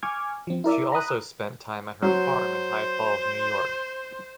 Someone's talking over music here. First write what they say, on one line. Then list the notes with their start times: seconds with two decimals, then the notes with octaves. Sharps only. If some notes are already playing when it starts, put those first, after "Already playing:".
She also spent time at her farm in High Falls, New York.
0.03 G#5 C#6 D6 F6 G#6
0.47 F3 C4
0.64 E4 A#4 D5 E5
0.92 A#5 B5 D#6 F#6
2.02 F#3 C5